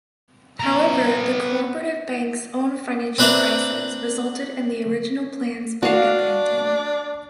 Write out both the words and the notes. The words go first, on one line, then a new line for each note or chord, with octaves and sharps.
However, the Co-operative Bank's own financial crisis resulted in the original plans being abandoned.
B3 A#5
C4 D4 B4 D5 E5 A#5
D4 F#4 F5